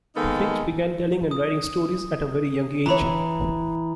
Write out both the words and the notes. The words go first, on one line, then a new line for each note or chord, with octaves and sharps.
Finch began telling and writing stories at a very young age.
D#3 G#3 A#3 B3 D#4 A4
D#6
E3 C#5 A#5 B5